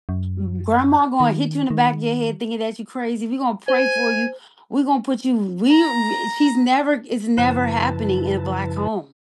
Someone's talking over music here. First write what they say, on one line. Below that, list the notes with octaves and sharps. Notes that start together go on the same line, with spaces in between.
M grandma gonna hit you in the back of your head thinking that you crazy. We gonna pray for you. We gonna put you we w she's never it's never happening in a black home.
F#2
D#3
D#3
C5 G#5
A#5
F#2 C#3 F3 E4 B4 A5